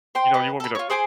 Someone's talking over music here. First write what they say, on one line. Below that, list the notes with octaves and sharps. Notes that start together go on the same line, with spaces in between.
you know, "you want me to
C5 G5 C6
B4 D#5
A4 B5
F4 C#5
G#4 C5 G#5 D6